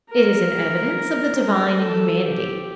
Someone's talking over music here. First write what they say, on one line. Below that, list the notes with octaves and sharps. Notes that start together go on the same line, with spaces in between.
It is an evidence of the divine in humanity.
A#4
A#4
A4
G4